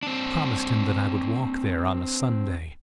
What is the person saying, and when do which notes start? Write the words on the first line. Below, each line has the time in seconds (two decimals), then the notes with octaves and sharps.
I promised him that I would walk there on a Sunday.
0.03 C4 D4